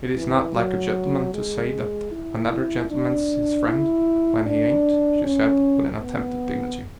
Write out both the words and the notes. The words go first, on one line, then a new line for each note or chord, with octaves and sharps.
"It is not like a gentleman to say that another gentleman's his friend when he ain't," she said, with an attempt at dignity.
E3
F#3
G#3
E4
E4
D4
E4
D4
C#4
B3